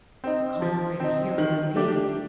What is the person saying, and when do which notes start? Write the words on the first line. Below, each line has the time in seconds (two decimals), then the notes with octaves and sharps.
A conquering hero, indeed!
0.24 C4 D#4
0.62 F3
1.00 C4 D#4
1.38 D#3
1.76 A3 D4 G4